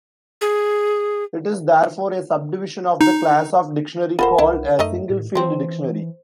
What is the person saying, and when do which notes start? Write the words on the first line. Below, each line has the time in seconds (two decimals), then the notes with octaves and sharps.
It is therefore a sub-division of the class of dictionary called a single-field dictionary.
0.41 G#4
3.01 D#4
4.19 D1 F4 A4 A#4 C5 F#5 B5
4.38 C2 E4
4.79 F#2 A3 D#4 D#5
5.10 A2
5.35 E3 F3 C4 C5 C6